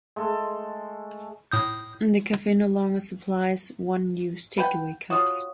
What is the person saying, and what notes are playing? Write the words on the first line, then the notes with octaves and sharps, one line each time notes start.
The cafe no longer supplies one-use takeaway cups.
G#3 A3 A4
A2 D#6 G6
B4 F#5 G5
F4 F#4 C#5 D#6